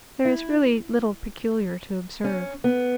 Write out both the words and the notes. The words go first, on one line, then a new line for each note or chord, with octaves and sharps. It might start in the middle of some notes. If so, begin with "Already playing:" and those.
There is really little peculiar to observe.
E4
C#4
B3